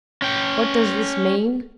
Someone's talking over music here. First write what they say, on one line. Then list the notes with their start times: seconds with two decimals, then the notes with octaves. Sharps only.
What does this mean?
0.22 C#4 G5